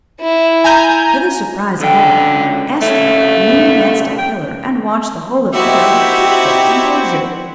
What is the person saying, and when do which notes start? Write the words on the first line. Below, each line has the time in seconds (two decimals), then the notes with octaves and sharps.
To the surprise of all, Estra leaned against a pillar and watched the whole affair with perfect composure.
0.21 E4
0.64 G#5 A#5 G6
1.80 C#2 D3 G5
2.81 B1 C#3 A3
4.18 G5
5.53 C4 D#4 E4 F#4 G4 E5